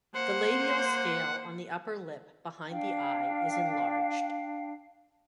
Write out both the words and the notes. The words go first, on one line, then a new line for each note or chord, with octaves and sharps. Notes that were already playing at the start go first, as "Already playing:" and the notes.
The labial scale on the upper lip behind the eye is enlarged.
A#3 C5 F#5
D4 F5 G5